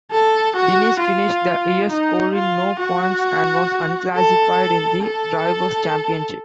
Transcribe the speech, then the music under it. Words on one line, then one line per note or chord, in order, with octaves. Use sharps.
Diniz finished the year scoring no points and was unclassified in the Drivers' Championship.
A4
F#4
F4
D#4
F4
F#4
A4
A4